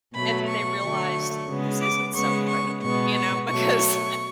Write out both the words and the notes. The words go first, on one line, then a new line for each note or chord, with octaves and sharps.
and then they realized, "This isn't so great," you know, because
B2 F#3 A3 B5
C#6
D3 F#3 A3
C#3 G#3 B3
D6
C#3 G#3 B3 C#6
C#6
B2 G#3 B3 C#6
C#6
B2 F#3 A3 C#6